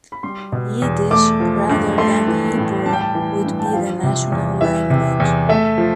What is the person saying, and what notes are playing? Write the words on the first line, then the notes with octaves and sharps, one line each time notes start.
Yiddish, rather than Hebrew, would be the national language.
B5
G3 C6
B2
E2
A3 D6
F3
G2
A3 C6
E3
A2
G3 A5
G5
A5
E3
G2
A5
G5
F3 F5
C3
E2
E3 E5
C3
E2
A3 E5
F3